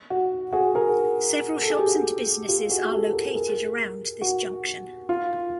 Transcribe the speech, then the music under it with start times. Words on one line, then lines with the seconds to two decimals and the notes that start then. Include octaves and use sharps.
Several shops and businesses are located around this junction.
0.10 F#4
0.53 F#4 G#4
0.75 G#4 A#4
1.61 A4
1.70 G#4
1.79 G4
1.88 F#4 G#4
2.48 F4 G4
2.70 F#4 G#4
2.91 G4 A4
3.13 G#4 A#4
3.35 G#4 A#4
4.22 F#4
5.09 F4